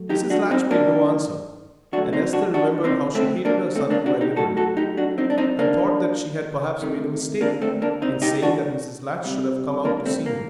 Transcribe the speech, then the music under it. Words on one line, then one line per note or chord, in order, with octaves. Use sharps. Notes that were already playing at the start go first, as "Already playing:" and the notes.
Mrs. Latch made no answer, and Esther remembered how she hated her son to wear livery, and thought that she had perhaps made a mistake in saying that Mrs. Latch should have come out to see him.
Already playing: F#2 F#3 A3
D#4 G4
D4 F#4
C4 D#4
A#3 D4
D2 D3 F#3 A3 D4 F#4
C4 D#4
D4 F#4
D4 F#4
C4 D#4
A3 C4
A#3 D4
A3 C4
A#3 D4
D4 F#4
D#4 G4
F#2 F#3 A3 F#4 A4
F#4 A4
D#4 G4
D4 F#4
C4 D#4
D4
C4 D#4
A#3 D4
D2 C3 D#3 A3
A#3 D4
A3 C4
A#3 D4
C4 D#4
D#4 G4
D4 F#4
C2 C3 G3
A#3 D4
A3 C4
A#3